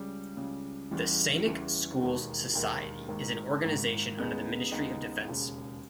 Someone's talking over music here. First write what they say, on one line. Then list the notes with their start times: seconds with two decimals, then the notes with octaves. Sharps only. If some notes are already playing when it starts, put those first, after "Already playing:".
The Sainik Schools Society is an organization under the Ministry of Defence.
Already playing: C#2 C#3 G3
0.37 C#2 C#3 G3
0.91 E2 C#3 E3 G3
1.45 E2 C#3 E3 G3
2.00 E1 D#2 D#3
2.54 E1 D#2 D#3
3.08 G#1 G#2 D#3 A#3
3.63 G#1 G#2 D#3 A#3
4.17 D#2 C#3 G#3 B3 D#4
4.71 D#2 C#3 G#3 B3 D#4
5.26 E1 D#2 C#3